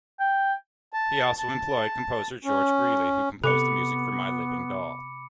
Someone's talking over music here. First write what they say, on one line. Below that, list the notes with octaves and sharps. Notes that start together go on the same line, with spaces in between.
He also employed composer George Greeley who composed the music for "My Living Doll".
G5
A5
A5
C#4
C3 B3 A4 B5 D6 C#7